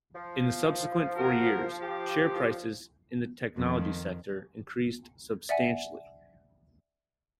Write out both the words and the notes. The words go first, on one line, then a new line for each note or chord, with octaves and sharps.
In the subsequent four years, share prices in the technology sector increased substantially.
F3
F#4 A#4
G4
F2 D#3
D5 E5 F#5 G#5